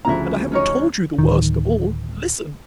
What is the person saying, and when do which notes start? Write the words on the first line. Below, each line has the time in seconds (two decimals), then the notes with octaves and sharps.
And I haven't told you the worst of all. Listen!
0.05 D2 C#3 F3 E4 A#5
0.52 C#4 D#4 C#5
1.19 D1 G1 D#3